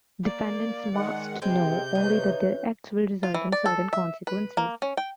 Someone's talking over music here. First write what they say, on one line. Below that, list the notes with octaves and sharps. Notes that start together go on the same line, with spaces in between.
Defendants must know only that their acts will result in certain consequences.
A#3 D5
D#3 G#3 F#5
C3 G#3 B3 C4 G6
D3 E3 F#3 D#4
F4
E3
D5
A4
E5
B4
A#3
C#4
G5